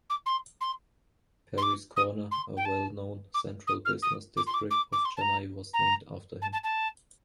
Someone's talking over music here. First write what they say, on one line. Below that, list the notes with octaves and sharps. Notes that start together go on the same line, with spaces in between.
Parry's Corner, a well-known central business district of Chennai was named after him.
D6
C6
C6
C6
D6
D#6
C6
G5
A5
D6
D#6
F6
D#6
D6
C6
D6
D6
D6
C6
A5
A#5
A#5
A5
A5
A5